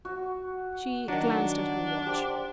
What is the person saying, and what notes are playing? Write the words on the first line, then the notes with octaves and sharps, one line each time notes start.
She glanced at her watch.
F#4
D#3 F#3 D4 F#5
G4 C5